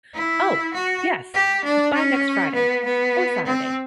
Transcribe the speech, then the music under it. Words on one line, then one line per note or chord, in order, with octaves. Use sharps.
Oh yes, by next Friday or Saturday.
E4
F#4
G4
D4
C#4
B3
B3
C4